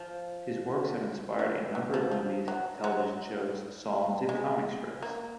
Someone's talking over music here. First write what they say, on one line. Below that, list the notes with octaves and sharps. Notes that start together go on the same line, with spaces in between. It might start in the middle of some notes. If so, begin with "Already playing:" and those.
His works have inspired a number of movies, television shows, songs and comic strips.
Already playing: F3
E3
E3
F3
F3
F#3
F#3
G#3
A#3